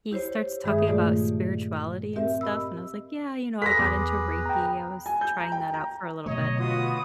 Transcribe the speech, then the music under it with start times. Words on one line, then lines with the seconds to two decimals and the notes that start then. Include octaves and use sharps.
he starts talking about spirituality and stuff, and I was like, "Yeah, you know, I got into Reiki. I was trying that out for a little bit."
0.11 E4 G4 C5 C#5
0.64 G2 D#3 G#3 G#4 E5 D#6
0.86 A#2 A3 F4 G4 D5
2.16 C4 G4 A#4 E5
2.41 D#5 B5 E6
3.62 G#4 A4 B4 C6 A#6 B6
3.79 E2 B3 D6
4.46 G5 A#5
5.06 G#5
5.21 G6
5.39 A#5
5.52 G5
5.74 A#5
6.26 B2 D3 F#3 A3 C#5 D#5
6.60 B3 F4 F#4 D#6